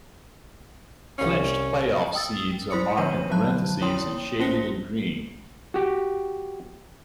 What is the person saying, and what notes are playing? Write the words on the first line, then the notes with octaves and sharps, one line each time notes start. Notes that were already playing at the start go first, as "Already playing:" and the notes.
Clinched playoff seeds are marked in parentheses and shaded in green.
C2 C#4 F5
G5 D#6 E6 A6
E4 C5 B5 C6 D#6 C#7
D3 F3 D4 B4 C#5 D#7
D3 F3 F#3 A5 F#6
E4 C#5 G5 C6 D#6
A#3 C#4 C5 A#6 C#7 G7
F#4 G4